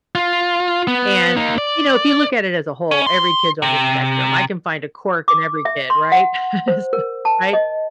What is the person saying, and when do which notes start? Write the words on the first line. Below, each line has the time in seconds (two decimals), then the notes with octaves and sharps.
And, you know, if you look at it as a whole, every kid's on the spectrum. I can find a quirk in every kid, right? Is th right?
0.15 F4
0.87 B3
1.37 A#3 D#4
1.58 D5
2.91 C#4
3.06 C6
3.62 C3
5.28 D6
5.65 E5
5.90 C6
6.12 F#5
6.68 C5
6.93 A#4
7.25 A5
7.53 D#5